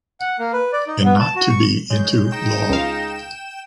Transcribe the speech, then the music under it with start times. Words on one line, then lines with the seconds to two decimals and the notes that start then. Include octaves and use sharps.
And not to be into law.
0.20 F#5
0.39 A#3
0.53 B4
0.73 D5
0.87 D#4
1.04 B3
1.20 A5
1.36 F#4
1.49 C#6
1.90 G#3 C#5 G6
2.31 G#3 D#4 G5 E7
2.70 C#2 F5